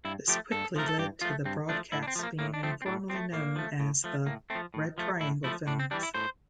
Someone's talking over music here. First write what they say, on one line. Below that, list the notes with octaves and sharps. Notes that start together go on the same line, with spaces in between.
This quickly led to the broadcasts being informally known as the "red triangle films".
G2 E4
F3 A3 G4
G2 A4
F3 A3 A#4
A4
G2 G4
F3 A3 F4
G2 C4
F3 A3 D4
A2 E4
D4
C4
F3 A3
A#3
A2 A#3
D4
F3 A3 C4
C4
A2 D4
F3 C4
A3
A2 A#3
F3 A3
A2
F3 A3
A2 A#3
A3 C4
F3
A2
F3 A3
A2 E4
F3 A3 E4
A2 D4
C4
E3 G3 D4
E4
A2 C5